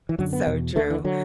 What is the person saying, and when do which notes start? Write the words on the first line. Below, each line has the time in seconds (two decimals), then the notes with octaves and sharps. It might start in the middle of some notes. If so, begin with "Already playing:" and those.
So true.
0.09 E3
0.18 F#2 D3 F#3
0.33 B3
0.47 E2 B2
0.76 D2 D3 A3
0.90 E3
1.04 D3 F#3